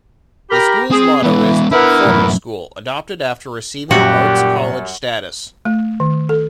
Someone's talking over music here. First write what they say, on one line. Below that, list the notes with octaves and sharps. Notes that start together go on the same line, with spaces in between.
The school's motto is "The Performing School", adopted after receiving Arts College status.
G4 A#4 B5
C4 G#4
E3 G#3 B3
B3 D4 E4 A#4 E5
F#2 A2
F#2 A#2 G3 F#4 G4
A3
D#3
A4